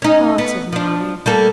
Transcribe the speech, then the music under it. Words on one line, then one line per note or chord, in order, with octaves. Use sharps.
Heart of mine!
C#4 D#4
B3
F3 D4
G3 A#3 A4